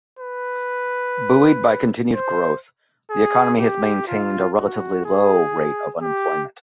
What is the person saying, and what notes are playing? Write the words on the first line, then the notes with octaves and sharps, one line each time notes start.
Buoyed by continued growth, the economy has maintained a relatively low rate of unemployment.
B4
C5
G#4
G4
F4
F#4
G#4
G4